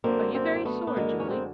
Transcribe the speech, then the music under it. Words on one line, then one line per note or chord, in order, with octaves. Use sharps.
"Are you very sore, Julie?"
F#2 D3 A#3 C4
A#3 C4
C4
A3 B3
B3
F#2 D3 G#3 A#3
C#4
C4